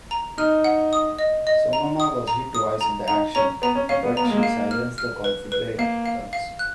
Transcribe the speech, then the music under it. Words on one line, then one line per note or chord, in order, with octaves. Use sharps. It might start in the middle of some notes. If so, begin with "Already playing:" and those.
"Sonoma" was hit twice in the action, but she silenced the Confederate guns.
A#5
D#4 F6
F#5
D#6
D#5
D#5
A#5
D#6
A#5
D#6
A#5
D#4 A#5
C#4 A#5
B3 A#5
C#4
C#4 F5
B3
B3 A#5
A#3
G#3
A#3
F5
F6
F6
B4
B4
A#3 F5
F5
F5
F#6